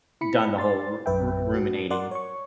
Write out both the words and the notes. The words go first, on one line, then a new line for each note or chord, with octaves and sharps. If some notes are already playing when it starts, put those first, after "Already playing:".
done the whole ru ru ruminating.
E4 B5 C#7
D5 C6 A6
A#1 F#2 B4 E5 G5
F#4
A#4 D5 F#5 C6
C#5 C#6